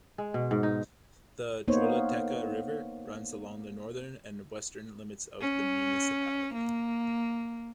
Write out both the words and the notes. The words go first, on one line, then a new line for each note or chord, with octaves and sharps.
The Choluteca River runs along the northern and western limits of the municipality.
G#3
B2
G#2
D#4
A#3 B3 D#4 C5 C#5
C#4
A#3